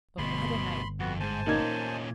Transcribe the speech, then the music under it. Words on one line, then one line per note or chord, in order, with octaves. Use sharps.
But what a night!
G1 D2 B2 B5 C6
F2 B3 F#4
D2 G#2 C5 G#5 A5
A#2 A#3 C#4 D#4 G#6